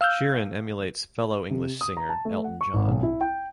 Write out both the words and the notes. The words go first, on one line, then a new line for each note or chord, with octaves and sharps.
Sheeran emulates fellow English singer Elton John.
F5 E6 F6 G6
C3
D#6
A#5
A5
A3
F#5
C#6
G#1
B1
E4
G5